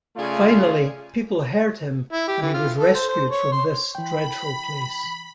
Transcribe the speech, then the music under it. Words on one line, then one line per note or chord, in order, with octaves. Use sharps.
Finally people heard him and he was rescued from this dreadful place.
C#3 A3 F4 G#4 D5
E4
G4
E3
F4
A4
C5
C5
C#5
C6
E3 G5 B5